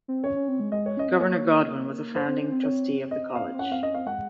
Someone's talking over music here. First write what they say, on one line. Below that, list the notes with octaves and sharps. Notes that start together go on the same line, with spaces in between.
Governor Godwin was a founding Trustee of the College.
C4
C#4 C#5
C#4
C4
G#3
G#3 D#5
C#5
C#4 D#5
C4
A#3 C#5
A#3
C5
C4
C#4
C4
C#5
D#5
F5
C4
C#4 F#5
C4 F5
C#4 D#5
C4 F5
G#3 F#5